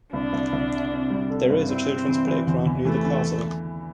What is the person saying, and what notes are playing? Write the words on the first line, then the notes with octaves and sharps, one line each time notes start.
There is a children's playground near the castle.
C2 D4
C2
C2
C3
C4
G3
A4
G2
C4 E4
C3
E3
E3
E2
E2
E3 A3
E3